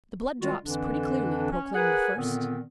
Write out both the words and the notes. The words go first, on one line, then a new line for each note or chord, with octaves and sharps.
The blood drops pretty clearly, proclaimed the first.
D#3 G3 G#3 F4 F#4
F2 D3 E3 D4
C#4
G#4 A#4 B4 F#5 G#5
A#2 D3 D#3 B3 C4